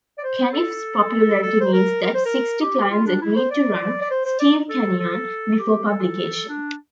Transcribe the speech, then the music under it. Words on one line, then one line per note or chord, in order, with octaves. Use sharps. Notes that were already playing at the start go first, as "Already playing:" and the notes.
Caniff's popularity meant that sixty clients agreed to run "Steve Canyon" before publication.
D5
C5
A4
A4
C5
A#4
A#4
C5
A#4
G4
F4
D4
E4
C5
D5
D5
C5
C5
D5
A4
A4
G4
A4
D4